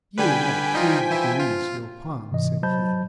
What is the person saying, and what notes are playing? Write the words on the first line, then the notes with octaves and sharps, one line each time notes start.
"You let thieves grease your palms," said he.
D3 G3 B4 G5 G#5 B6
F3 G3 D#4 F4
E3 E4
F4
G#2 C3 E3 D#5
F#3 C5 D#5 A5 B5 G6